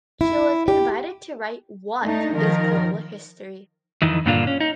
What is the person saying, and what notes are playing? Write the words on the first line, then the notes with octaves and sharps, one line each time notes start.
She was invited to write What is Global History?
E4
G4
A3 D4 D#4
D#3 F3 A#4
F2 D#3 E3
G2 A#2 D3 A#3 D4 F4
C#4
D#4